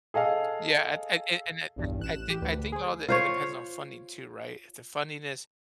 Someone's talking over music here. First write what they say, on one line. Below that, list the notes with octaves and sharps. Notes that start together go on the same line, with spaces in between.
Yeah. I I an anc I think I think all that it depends on funding too, right? If the funding is
G#4 A4 D#5 F5
B1 E2 G2
A1 F#6 E7
E3 G4
D2 B4
G#4 C5
F4 C5 C#5